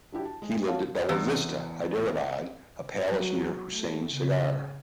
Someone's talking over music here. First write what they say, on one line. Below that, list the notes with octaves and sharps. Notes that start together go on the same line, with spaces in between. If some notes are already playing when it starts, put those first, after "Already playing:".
He lived at Bella Vista, Hyderabad, a palace near Hussain Sagar.
F#3 D4 E4 G4
A5
G#3
F#4 C#5 F5 A5
E2
F#3
A3
C#3